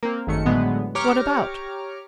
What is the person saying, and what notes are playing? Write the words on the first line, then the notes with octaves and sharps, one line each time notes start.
"What about?"
A#3 C4
G#1 F#2 D#3 A3 C#7
A2 D3 F#3 G#3 B3
G4 C#5 A#5 C#6 D6 F6